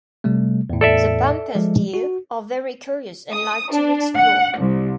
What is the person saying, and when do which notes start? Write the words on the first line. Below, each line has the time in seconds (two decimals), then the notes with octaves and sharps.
The Pampas deer are very curious and like to explore.
0.24 C3 G3 A3
0.70 E2 A2
0.81 A4 D5 E5
1.55 F3 G#3
1.94 F#4
3.31 D#6
3.72 D4
4.16 F#5
4.58 C2